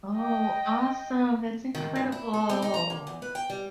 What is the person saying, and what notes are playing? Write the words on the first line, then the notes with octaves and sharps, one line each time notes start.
Oh, awesome, that's incredible.
D#5 G5
D#3
G2
E4
A4
C4
D#4
A#5
A#3
E2
B4
G5
G3